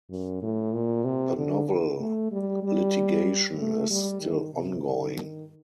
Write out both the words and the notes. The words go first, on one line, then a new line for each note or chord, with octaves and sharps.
The Novell litigation is still ongoing.
F#2
A2
A#2
C3
D3
A3
G3
G3
A3
G3
D#3
C3
D3
D#3